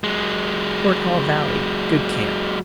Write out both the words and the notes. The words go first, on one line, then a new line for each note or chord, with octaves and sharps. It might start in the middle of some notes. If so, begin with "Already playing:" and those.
Fort Hall Valley.--Good camp.
F#3 G#3